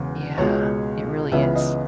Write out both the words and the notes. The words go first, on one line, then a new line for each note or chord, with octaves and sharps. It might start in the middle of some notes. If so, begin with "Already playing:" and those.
Yeah. It really is.
Already playing: E1 E2 C#3
C#2 B2 G#3 C#5
C#2 C#3 E3 B3 E5
D#5